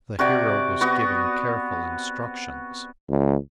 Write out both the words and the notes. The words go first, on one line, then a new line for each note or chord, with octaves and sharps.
The hero was given careful instructions.
C3 F#4 D5 D6
B3 F#4
C#2